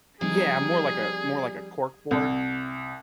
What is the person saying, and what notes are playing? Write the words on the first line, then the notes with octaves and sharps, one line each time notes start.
Yeah, more like a more like a corkboard.
F3 G3 C4 D#4 G#4
C2